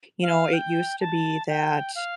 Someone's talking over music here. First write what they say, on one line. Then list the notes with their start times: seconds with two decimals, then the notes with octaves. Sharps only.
You know, it used to be that,
0.22 F5
0.53 G5
1.00 A5
1.48 G5
1.95 F5